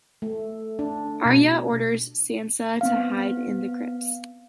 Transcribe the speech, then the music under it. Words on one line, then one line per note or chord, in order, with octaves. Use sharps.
Arya orders Sansa to hide in the crypts.
A3
D4
B2
B3 C4 F5